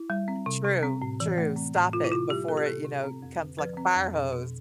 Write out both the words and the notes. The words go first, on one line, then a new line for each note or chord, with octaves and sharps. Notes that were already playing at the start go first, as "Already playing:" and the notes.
True, true. Stop it before it, you know, becomes like a fire hose.
Already playing: E4
G3
C4
C3
C3
C4
A2
E3
A3
C4
A2
C3 F4
E4
C3 F4
G3 G4
B3 A4
G4
C3 A4
C3
C4
F2
D3
F3 B4
C4
F2
B2
B2